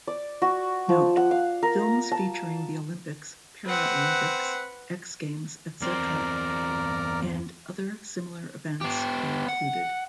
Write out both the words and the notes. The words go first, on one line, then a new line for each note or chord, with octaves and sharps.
Note: Films featuring the Olympics, Paralympics, X-Games, etc... and other similar events are included.
D5
F#4
F3
F#5
F5
A#4
A5
C4 B4 F#5
E2 C4 A#4 C5 D5 A#5
B3 G4
F#5